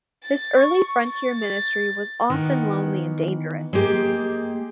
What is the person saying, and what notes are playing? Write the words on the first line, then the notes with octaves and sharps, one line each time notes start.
This early frontier ministry was often lonely and dangerous.
A6
C#6
A6
D#3 E3 B3
G#3 A#3 G4 G#4